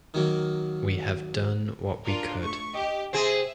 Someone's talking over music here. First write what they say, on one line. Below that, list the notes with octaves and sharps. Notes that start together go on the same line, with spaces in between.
We have done what we could.
D#3 F#3 A#3
D4 F4 A#4
A3 C#6
G4 D#5
C3 C4 G#4 C5 E5